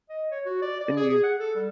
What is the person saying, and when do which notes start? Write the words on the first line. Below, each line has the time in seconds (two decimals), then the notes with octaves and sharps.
And you
0.10 D#5
0.31 C#5
0.46 F#4
0.62 D5
0.81 D5
0.97 G#4
1.10 G#4
1.24 F#5
1.39 A4
1.55 G3